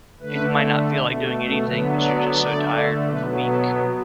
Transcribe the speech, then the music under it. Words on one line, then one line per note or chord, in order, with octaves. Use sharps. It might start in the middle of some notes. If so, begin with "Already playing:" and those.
and you might not feel like doing anything 'cause you're just so tired from the week.
D3 A3 B4
B2 A3
D3 F#3 B3 B4
D5
D3 A3 D5
B2 F#3 B3 B4
A4